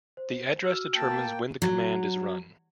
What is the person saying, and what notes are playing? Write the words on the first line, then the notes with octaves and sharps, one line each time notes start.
The address determines when the command is run.
C5
F#4 E6 F6
A#3 G5 A5
F#3